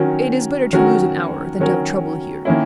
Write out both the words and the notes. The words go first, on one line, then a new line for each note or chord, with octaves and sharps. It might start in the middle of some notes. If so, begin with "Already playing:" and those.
"It is better to lose an hour, than to have trouble here."
Already playing: D#3 F#3 C#4 F#4 A#4
D#3 F#3 C#4 F#4 A#4
D#3 F#3 C#4 F#4 A#4
D#3 A#3 C#4 E4